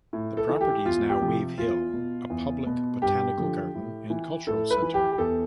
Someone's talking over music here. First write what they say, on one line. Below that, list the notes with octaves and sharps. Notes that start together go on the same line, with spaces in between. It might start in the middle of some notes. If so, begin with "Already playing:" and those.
The property is now Wave Hill, a public botanical garden and cultural center.
A2
A4
E3
G4
E2 F4
G4
C3 F3
E2 F4
B2
E2
B2
G2 G4
D3 F3
A2
E3
A2 A4
B4
E3
G4
G4
E2 A4